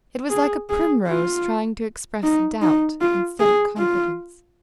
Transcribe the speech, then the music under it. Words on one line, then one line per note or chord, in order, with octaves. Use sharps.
It was like a primrose trying to express doubt instead of confidence.
G#4
G#4
F4
D#4
D#4
F4
G#4
F4